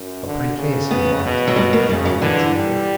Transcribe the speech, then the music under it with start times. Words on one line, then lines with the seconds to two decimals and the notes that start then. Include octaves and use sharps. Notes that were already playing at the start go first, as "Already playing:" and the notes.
"A pretty case," he remarked, putting it down on the table.
Already playing: F#2
0.26 D3
0.58 C#3
0.91 B3
1.24 B2
1.48 F#3
1.56 G3
1.73 A#3
1.89 C#3 G3
2.05 F#3
2.21 D3 E3
2.55 G3